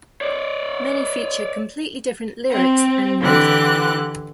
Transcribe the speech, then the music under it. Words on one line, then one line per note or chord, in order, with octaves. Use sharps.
Many feature completely different lyrics, and music.
C#5 D5
C4
D3 E3 G4 F#6